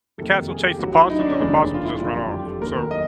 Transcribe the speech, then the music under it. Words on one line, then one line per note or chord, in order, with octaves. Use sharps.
the cats will chase the possums and the possums just run off, so
F2 C3 D#3 G3 A#3 A4
G#4
G4
A1 A2 F#3 F#4
E4
D#4
D4
C#4
F1 D#2 C#3 E3 G#3 D4
F4
E4
F#1 F2 D3 G3 F4
G4
G4
A4
D#2 D#3 F#3 A#3 A#4
D#5